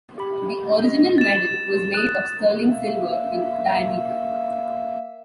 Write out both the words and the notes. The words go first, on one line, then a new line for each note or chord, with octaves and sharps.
The original medal was made of sterling silver, in diameter.
G4 B5
D#5
A6 E7
D#6 F#6
A#3 E5